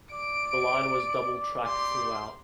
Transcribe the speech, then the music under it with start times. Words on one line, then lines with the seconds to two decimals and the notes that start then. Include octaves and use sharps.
The line was double track throughout.
0.12 D5 D7
1.63 G4 D5 C6